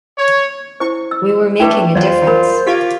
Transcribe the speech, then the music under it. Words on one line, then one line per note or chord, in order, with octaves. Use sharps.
We were making a difference.
C#5
E4 C5 C#6
E6
A3 D4 E4 B4 G5
E2 F#3 F4 C5 D5
A#4 B5
F4 G4 F5 D6 G#6 B6